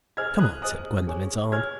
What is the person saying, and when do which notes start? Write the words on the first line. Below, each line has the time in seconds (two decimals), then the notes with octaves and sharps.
"Come on," said Gwendolen's aunt.
0.17 G#4 C5 D#5 G#5 F6 G#6
0.39 D#6 F#6
0.62 G#4 C5 D#5 G#5 D#6 F#6
1.07 G#4 C#5 G#5 C#6
1.52 G#4 C#5 G#5 C#6 F6 G#6